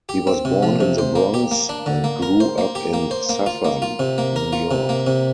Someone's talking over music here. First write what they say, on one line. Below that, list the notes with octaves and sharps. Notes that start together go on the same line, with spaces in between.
He was born in the Bronx, and grew up in Suffern, New York.
G4
C4
C3
F3
C3
C5
A#3
G4
A#3
D4
D3
A#3
A#4
C5
A#3
G4
A#3
C5
A#3
F4
A#3
F4
C3
A#3
A#4
F4
C3
A#3
C3